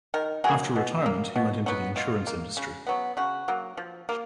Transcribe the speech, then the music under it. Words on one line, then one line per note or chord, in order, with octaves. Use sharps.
After retirement, he went into the insurance industry.
D#3 A#4
F#3 A#3 G#4
B2
A#3
B2
F#3 B3
B2 F4
A#3
C#3
F#3 B3
C#3 F#4
F#3 A#3
F3
A#3